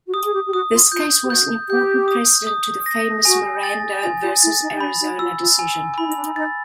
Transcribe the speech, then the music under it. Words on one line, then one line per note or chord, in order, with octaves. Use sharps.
This case was an important precedent to the famous "Miranda versus Arizona" decision.
F#4
G4 D#6
G#4
G4
G4
F#4 D#6
F4
F4 G6
G4
F#4 G6
G4 G6
D#6
D#6
A#6
F#4 G#5
A6
F4 G#5
F4
E4 A6
D#4
D#4
D4 B5
D#4
F4 E6
F4
G#5
E4 B5
D#4
D4
D#4
D#4 A6